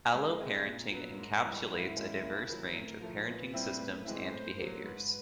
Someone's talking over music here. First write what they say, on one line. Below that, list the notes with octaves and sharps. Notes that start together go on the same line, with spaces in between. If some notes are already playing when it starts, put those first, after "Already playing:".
Alloparenting encapsulates a diverse range of parenting systems and behaviours.
G#3
C4 E4 G#4 B4
A#2 A#4
F#3 B3
G#2
E3 G3
G#2 E4
D#3 G#3 C#4
D#2
D#3 F#3
A2 A#4
F3 A3
A#2 B4
G3 C4 E4
A2
E3 G#3 C4 E4
A2 C5
F#3 A#3
G#2 B4